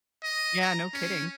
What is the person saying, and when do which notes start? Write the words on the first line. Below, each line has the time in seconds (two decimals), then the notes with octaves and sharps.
Yeah. No kidding.
0.23 D#5
0.61 A#5
0.94 C#4